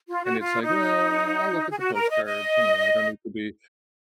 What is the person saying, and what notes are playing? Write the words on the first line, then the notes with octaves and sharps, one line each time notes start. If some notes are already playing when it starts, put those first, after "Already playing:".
And it's like, well, I'll look at the postcards, you know, I don't need to be
F4
F#4
F4
D#4
G#4
F#4
A#4
D#5
D#5